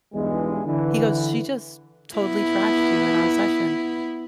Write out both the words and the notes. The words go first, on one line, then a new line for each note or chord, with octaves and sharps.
He goes, "She just totally trashed you in our session,
B1 E2 G2 E3 G#3
D3 E3
B3 E4